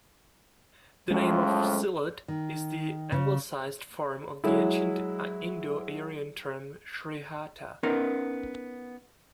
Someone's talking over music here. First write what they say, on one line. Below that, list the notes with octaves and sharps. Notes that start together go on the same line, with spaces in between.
The name of "Sylhet" is the anglicized form of the ancient Indo-Aryan term "Srihatta".
F2 A2 F3 F#3 G#3 C#4
D#3
C#3
F#3 G#3 E4
B3 C#4 D#4 A#4